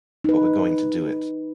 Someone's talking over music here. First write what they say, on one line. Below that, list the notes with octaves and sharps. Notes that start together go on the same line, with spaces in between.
But we're going to do it.
D#4 B4